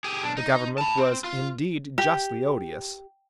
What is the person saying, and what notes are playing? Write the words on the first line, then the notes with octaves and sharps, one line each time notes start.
The government was indeed justly odious.
G4 G#4
B1 D4
D#4
A5 B5
C4
F4
G4